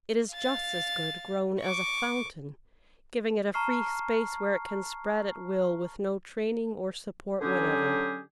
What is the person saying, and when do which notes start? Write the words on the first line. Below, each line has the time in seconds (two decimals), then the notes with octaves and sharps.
It is just as good grown as a "fountain," giving it a free space where it can spread at will with no training or support whatever.
0.33 F5 A6
1.60 C#6 D6
3.54 A5 A#5 C#6 F6 C7
7.41 D3 F#3 C#4 G4 G#4